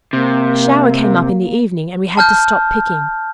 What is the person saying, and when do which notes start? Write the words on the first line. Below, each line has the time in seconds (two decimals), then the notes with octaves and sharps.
A shower came up in the evening and we had to stop picking.
0.13 C3 A#3
2.17 A5 F6 G6